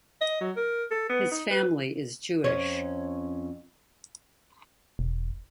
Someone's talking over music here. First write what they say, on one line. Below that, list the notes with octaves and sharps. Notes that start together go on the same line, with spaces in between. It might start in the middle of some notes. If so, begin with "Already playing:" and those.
His family is Jewish.
D#5
F#3
A#4
A4
B3
D#4
B4
F2 C#4 C#5
E1